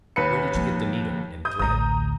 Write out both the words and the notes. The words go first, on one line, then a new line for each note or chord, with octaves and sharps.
"And where did you get the needle and thread?"
D#2 B4 C#7
F3 A#3
D#6 G6
A1 D2 A#5 D#6